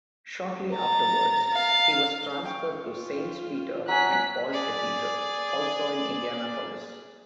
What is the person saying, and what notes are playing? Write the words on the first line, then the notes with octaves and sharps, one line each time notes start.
Shortly afterwards, he was transferred to Saints Peter and Paul Cathedral, also in Indianapolis.
A#5 A6
F5
G5 C#6
F4
F#3 G#5 F#6 B6
G#4 D5